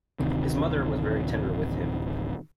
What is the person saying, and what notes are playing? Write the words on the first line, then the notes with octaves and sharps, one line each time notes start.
His mother was very tender with him.
D1 A1 C3 D#3